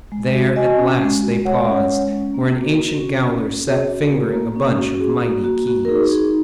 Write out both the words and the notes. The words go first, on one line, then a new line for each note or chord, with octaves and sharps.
There at last they paused, where an ancient gaoler sat fingering a bunch of mighty keys.
G#3
F#4
F#4 D#5 G#5
C#4
G#3
F#4
G#3 C#5 F#5
C#4
G#3
C#4
A#3
F#4
F#4
C#4
A#3
C#4
F#4 G#4 C#5
F#4
G#4
A#3 F#4 A#4
A#3
C#4
F#4
F#4 G#4
A#3
A#3 F#4
F#4
A#4
D#4 G#4
D#4 G#4